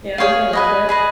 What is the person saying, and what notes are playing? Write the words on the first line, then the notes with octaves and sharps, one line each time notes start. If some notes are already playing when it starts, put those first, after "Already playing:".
Yeah, they love it.
G#4 C#5 F5
G#4 B4 D#5
G#4 B4 D#5